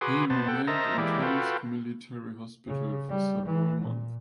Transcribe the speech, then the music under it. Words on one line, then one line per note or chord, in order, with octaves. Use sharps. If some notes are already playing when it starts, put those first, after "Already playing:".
He remained in Tomsk military hospital for several months.
F#4 G#4 B4 C6 D6 D#6
B2 B3 C5 A5
A4 F#5 G5
A#4 C5 D#5 E5 A5 A#5
E3 G#3 A#3 E4 G4 D5
F4 F#4 A4 B4 G5
C#3
G3
E3
A#2